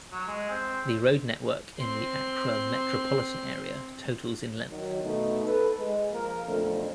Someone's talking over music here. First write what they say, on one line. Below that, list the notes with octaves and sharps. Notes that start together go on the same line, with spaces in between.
The road network in the Accra Metropolitan Area totals in length.
F#3
G#3
C4
C4 C6
D#3 F#3
B2 A3 D#4
A4 B4
G#3
F3 A#3 A#4
B1 F2 D3 A3